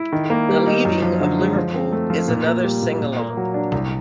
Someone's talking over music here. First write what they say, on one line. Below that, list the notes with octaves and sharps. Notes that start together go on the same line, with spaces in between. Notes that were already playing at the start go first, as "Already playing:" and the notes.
"The Leaving of Liverpool" is another sing-along.
Already playing: E4
D#3
A#3
G3
D#4
F#2
F3
D3
G#3
F3
C4
A3
F3
A#2
A#3
G3
A#2
A#2
A#3
F#3
D4
C2